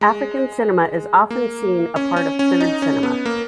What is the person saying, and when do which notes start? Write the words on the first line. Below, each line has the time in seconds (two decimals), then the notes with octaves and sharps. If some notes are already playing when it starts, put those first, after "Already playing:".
African cinema is often seen a part of Third Cinema.
0.01 G#3
1.30 A#3
1.96 C#4
2.16 C#4
2.39 C#4
2.61 D#4
2.82 C#4
3.03 B3
3.26 A#3